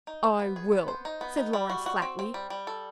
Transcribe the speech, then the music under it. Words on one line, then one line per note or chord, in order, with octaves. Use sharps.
"I will," said Lawrence flatly.
D#4
C5
B3
G#4
B3
C5
D#4
B3
D#4
G3
F#4
F#4
C4
C4
G3
G3
A4